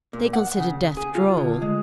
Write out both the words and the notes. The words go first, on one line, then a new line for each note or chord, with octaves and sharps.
They considered death droll.
A#2
F#5
C#3
G#4
F4
D3
G#3